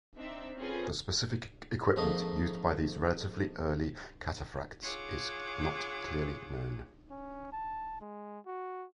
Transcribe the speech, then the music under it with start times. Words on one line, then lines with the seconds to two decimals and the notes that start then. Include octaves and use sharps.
The specific equipment used by these relatively early cataphracts is not clearly known.
0.17 C4 D4 D#4 E5
0.57 C4 C#4 F4 G#4 A4 B4
1.96 F2 G#2 A3 A#3 D#4 D#5
4.81 F4 G#4 C#5 F#5 D6 E6
7.10 C#4
7.52 A5
8.01 G#3
8.46 F#4